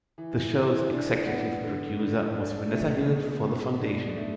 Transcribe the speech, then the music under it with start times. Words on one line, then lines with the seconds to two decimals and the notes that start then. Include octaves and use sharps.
The show's executive producer was Vanessa Hill for The Foundation.
0.18 E3
0.54 E3
0.91 D4
1.26 B3
1.63 D3
1.99 D3
2.35 D4
2.72 A3
3.07 B2
3.44 B2
3.80 D4
4.16 A3